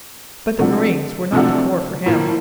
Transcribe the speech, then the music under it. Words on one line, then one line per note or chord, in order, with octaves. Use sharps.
But the Marines were not the corps for him.
C3 F3 A3 D4 F#4
C3 F3 A3 D4 F#4
A2 F3 A#3